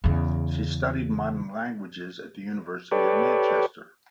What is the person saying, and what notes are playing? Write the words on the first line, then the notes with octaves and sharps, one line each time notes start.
She studied modern languages at the University of Manchester.
E2 C#3
G4 A4 B4 C#5 D5